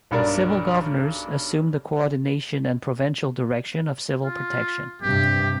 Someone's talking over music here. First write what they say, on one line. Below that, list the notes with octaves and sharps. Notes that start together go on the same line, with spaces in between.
Civil governors assumed the coordination and provincial direction of civil protection.
B1 G2 D4 A#4 D5
F4
G2 C3 G4